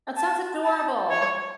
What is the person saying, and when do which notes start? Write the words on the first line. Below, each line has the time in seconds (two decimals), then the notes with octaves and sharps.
That sounds adorable.
0.17 A5
0.64 A5
1.10 C#5